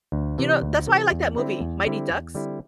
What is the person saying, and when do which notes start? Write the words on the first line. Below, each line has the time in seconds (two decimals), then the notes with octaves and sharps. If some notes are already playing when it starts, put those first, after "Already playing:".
You know, that's why I like that movie, Mighty Ducks.
0.12 D2
0.38 C3 E3
0.62 D2
0.87 C3 E3
1.12 E2
1.36 D3 G3 C4 E4
1.60 E2
1.86 D3 G3 C4 E4
2.10 E2
2.35 D3 G3 C4 E4